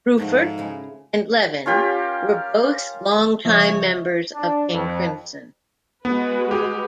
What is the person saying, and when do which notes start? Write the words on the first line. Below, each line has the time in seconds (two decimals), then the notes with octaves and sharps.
Bruford and Levin were both longtime members of King Crimson.
0.18 G#2 F3 F#3 A3
0.58 C#3 G#3 E4
1.66 C#4 F4 G4 A#4
3.45 C#3 F3 G#3 C#5 E5
4.33 D4
4.71 F2
6.05 G#3 B3 F#4 B4
6.51 G4 G#4